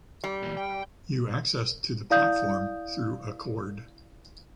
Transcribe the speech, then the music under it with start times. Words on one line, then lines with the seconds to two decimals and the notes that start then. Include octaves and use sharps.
You access to the platform through a cord.
0.24 G3
0.42 A#2 E3
0.57 G5
2.10 E4 D5 F5 D#6 G6